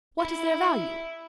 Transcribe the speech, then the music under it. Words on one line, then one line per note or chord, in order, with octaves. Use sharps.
"What is their value?"
E4